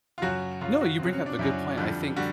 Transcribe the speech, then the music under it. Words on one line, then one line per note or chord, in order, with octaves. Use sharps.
No, you bring up a good point, I think
F4
F#2 C#3 F#3 F#4
F#2 C#3 F#3 F4
F#4
F#2 C#3 F#3 C4
C#4
D4
F#2 C#3 F#3 E4
F2 D3 G3
D3 G3 F#4